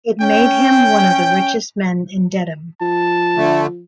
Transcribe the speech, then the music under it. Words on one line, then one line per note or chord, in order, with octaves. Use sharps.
It made him one of the richest men in Dedham.
C#4 G5
F3 A5
D3 A3